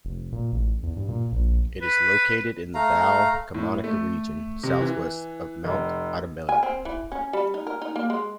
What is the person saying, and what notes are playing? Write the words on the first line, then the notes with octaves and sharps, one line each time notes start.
It is located in the Val Camonica region, southwest of Mount Adamello.
F1
A#2
A1
E2
G2
A#2
A#1
B4
A3 F5 A#5
A2
A3
C3
E3
F1
G#5
C4
E3
C#4
G3
D#4
A#4
D#4
A#3
G#3